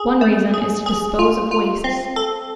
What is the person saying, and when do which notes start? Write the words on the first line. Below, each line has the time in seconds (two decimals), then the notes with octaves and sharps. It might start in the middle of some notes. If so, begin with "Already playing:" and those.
One reason is to dispose of wastes.
Already playing: G#4
0.21 A3
0.54 G#4
0.86 G#4
1.19 F4
1.51 F4
1.84 C4
2.16 A4